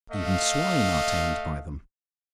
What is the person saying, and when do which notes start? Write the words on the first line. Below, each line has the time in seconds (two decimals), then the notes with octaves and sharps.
Even swine are tamed by them.
0.11 A3 D#5 F5